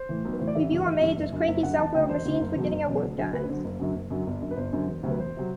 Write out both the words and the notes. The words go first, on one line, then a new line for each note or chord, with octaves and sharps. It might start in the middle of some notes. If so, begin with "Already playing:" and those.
We view our maids as cranky self-willed machines for getting our work done.
Already playing: C5
A2 E3
B1
B4
A2 E3 C5
D5
A1 E5
G2 E3
A1 E5
G2 E3
F#1
F#2 D3
F#1 E5
F#2 D3 F#5
E1 A5
D2 D3 G5
E1 C5
D2 D3
F#1
E2 B2 F#3
F#1
E2 B2 F#3
D2
D3 F#3
D2 B4
D3 F#3 C5
F#1
F#2 D3 F#3
F#1
F#2 D3 F#3
G1
F#2 D3
B4
G1 C5
F#2 D3
E1
D2 C3 F#3
B4
E1 C5
C3 F#3